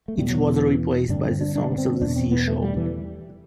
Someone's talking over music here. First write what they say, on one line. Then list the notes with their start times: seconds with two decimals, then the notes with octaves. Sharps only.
It was replaced by the "Songs of the Sea" show.
0.08 A3
0.17 E2 B2 G3
0.29 F#3
0.42 E3
1.09 G2 D3 D4
1.24 C4
1.41 D4
1.56 D4
1.72 B3
1.78 C4
2.01 E2 B2 D4
2.16 C4
2.31 B3
2.47 A3
2.62 G3
2.74 D3
2.77 E3